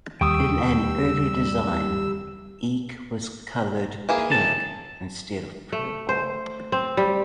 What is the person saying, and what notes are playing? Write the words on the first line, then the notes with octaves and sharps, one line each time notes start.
In an early design, Eek was colored pink instead of purple.
D#2 G3 G5 C#6 D#6 E6
E3 A#3 G#4
D#2 A2 A5
A3
C5
C4
G3